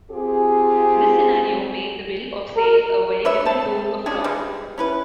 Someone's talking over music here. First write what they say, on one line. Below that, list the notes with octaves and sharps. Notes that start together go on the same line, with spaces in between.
This scenario made the bill of sale a veritable tool of fraud.
C4 F4 G4 G#4
A#4
D4 B4 C#5 E5
C4 A5
G#3 C#4 D4 G#4
G3 G#3 B3
C#4 E4 B4